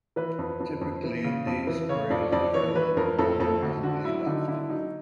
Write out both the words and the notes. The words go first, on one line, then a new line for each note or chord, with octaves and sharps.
Typically these prayers are held in the morning and late afternoon.
E3 B4
F2
F2
F2
E3
C#3
F2
E3
C#3 C#5
F2 D5
F2 D5
E3 C#5
E3 B4
F2 A#4
F2 A4
F2 A4
D2
D3 F#4
F#3 E4
D3 D#4
D3 E4
F#3 D#4